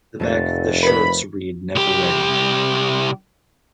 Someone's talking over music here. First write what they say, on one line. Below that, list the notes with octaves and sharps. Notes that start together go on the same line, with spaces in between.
The back of the shirts read "Neveready".
F1 F2 A3 A6
A#4 B4 B5
C2 G4